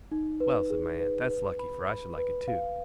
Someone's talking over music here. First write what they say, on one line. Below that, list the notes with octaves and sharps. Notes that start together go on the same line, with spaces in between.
'Well,' said my aunt, 'that's lucky, for I should like it too.
D#4
B4
G#4
B4
B4
B5
B5
B4
F5